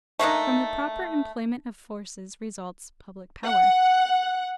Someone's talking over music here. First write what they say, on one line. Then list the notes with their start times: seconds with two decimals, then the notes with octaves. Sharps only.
From the proper employment of forces results public power.
0.19 A3 A#3 D4 D#4
3.45 F#5